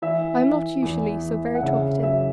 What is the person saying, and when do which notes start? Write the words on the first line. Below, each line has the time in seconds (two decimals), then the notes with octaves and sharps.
I am not usually so very talkative.
0.02 E3 E5
0.43 E3
0.82 E2
1.22 E2
1.55 F#5
1.63 C#3 E5
2.03 F#2 E5